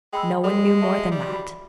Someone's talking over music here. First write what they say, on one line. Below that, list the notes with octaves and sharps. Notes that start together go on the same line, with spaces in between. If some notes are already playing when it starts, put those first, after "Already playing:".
No one knew more than that.
G#3 G5 B5 E6
G#3 A4
E5 A5 C#6
G3
F#4 B5